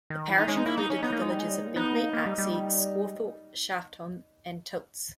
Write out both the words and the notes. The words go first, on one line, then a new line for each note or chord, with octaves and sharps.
The parish included the villages of Bentley, Arksey, Scawthorpe, Shaftholme and Tilts.
D#3
E3 E4
D#4
G#3 C#4
D#4
A#3 E4
D#4
C#4
B3 D#4
A#3
G#3
G3
G#3
G3
G#3
A#3
B3 D#4
A#3
A#3
G3
G3